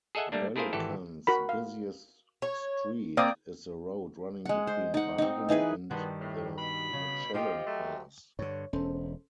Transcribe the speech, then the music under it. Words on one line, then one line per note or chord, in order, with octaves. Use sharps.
Bellikon's busiest street is the road running between Baden and the Mutschellen pass.
G#4 A4 D#5 E5 F#5 G#5
G3 A3 A#3 D4
A3 E4 G#4 A#4 C5 F5
G#1 E3 G4 A4
F#4 A#4 B5
F5
C#5
A#3 C4 D5 F5 D#6
G#3 F#5
C5
D#4 F#5
C4 D#4
E3 D#4 G#4 B4
G2 B2 D#3 G3 G#3 B3
A2
B2 B5
C#3
F3 G4 D#5 G5
F#3 G#3 A3
G2 D3 C#5
E1 C#4 A4 C5